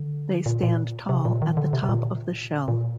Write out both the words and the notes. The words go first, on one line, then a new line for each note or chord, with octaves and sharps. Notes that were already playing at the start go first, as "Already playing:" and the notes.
They stand tall at the top of the shell.
Already playing: D3
A#2
A#2
C3
A#2
D#3
D3
C3
C3
A#2
A#2